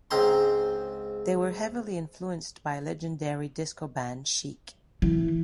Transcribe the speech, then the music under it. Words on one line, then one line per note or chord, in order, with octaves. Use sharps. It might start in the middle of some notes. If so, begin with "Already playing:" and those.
They were heavily influenced by legendary disco band Chic.
C#2 G#2 C4 C5 A#5 C6
E3